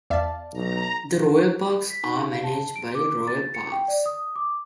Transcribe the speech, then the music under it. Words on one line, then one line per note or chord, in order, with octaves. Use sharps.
The Royal Parks are managed by Royal Parks.
E2 D5 E5 F5 A5
B1 A#5
B6
D#4
F5
A5
D7
D6
A6
C#7
G5
D5
D#6
D6